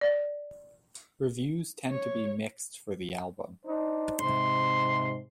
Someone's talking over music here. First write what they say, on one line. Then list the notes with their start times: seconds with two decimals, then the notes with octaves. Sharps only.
Reviews tend to be mixed for the album.
0.01 D5
1.90 C#5
3.65 D4 D#4 C5
4.20 G#2 C3 C6